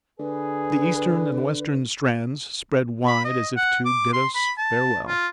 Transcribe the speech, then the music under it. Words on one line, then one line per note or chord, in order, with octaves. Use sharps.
The eastern and western strands spread wide as if to bid us farewell.
D3 G#4 B4
B5
D#5
F#5
D6
C6
B5
A5
F4